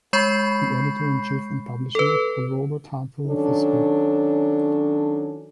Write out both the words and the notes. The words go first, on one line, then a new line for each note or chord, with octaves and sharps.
The editor-in-chief and publisher was Robert Hartwell Fiske.
G#3 B5 C#6 G6 C7
A4 B4
D#3 F#3 C#4 D4 A4